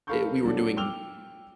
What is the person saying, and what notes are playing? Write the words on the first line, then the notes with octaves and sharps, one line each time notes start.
i we were doing
A4 A#4 F5 B5 C#6 G6
E3 F#3 D4 A4
G5 D6 E6 F6 F7 G7